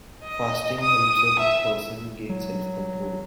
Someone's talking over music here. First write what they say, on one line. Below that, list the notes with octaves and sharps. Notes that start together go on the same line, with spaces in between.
Fasting helps a person gain self-control.
D#5
D#6
E5
F#3